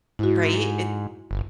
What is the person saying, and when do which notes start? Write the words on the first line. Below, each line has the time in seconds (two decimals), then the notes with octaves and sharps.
Right, it
0.19 G#2 E4 F#4
1.31 G1